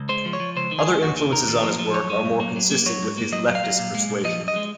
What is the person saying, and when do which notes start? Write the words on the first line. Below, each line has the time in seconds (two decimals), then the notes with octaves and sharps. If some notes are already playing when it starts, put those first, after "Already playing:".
Other influences on his work are more consistent with his leftish persuasion.
Already playing: C#2
0.09 G#3 C5
0.25 F3
0.33 C#5
0.40 F3
0.56 C#2 C5
0.71 D#3
0.79 G#4
0.86 G#3
1.02 D#2 F#4
1.17 D#3
1.32 D#2 A#4
1.48 A#2
1.64 F3
1.79 F3
1.94 F#2 C#5
2.10 G#3
2.25 F#2
2.40 A#3
2.56 F#3
2.71 A#3
2.86 F#3 C#5
3.02 G#2
3.18 A#3
3.32 F#3 D#5
3.48 F#3
3.55 F5
3.64 F#3
3.79 A#2
3.95 G#3
4.10 A#2
4.24 F3 D#5
4.40 F#2
4.48 D#5
4.56 G#3